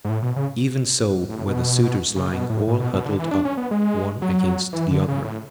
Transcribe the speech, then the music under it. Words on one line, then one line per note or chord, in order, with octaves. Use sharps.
Even so were the suitors lying all huddled up one against the other.
G#2
A2
B2
C#3
A2
B2
C#3
B2
A2
A2
B2
B2
D3
E3
D4
C#4
B3
G#3
F#3
E3
D3
C#3
A2